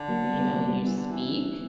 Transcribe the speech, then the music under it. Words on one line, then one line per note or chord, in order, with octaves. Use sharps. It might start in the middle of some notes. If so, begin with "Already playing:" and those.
you know, you speak
Already playing: D3
F#3 A#3
G3 B3
G3 B3
F#3 A#3
G3 B3
E3
D3
E3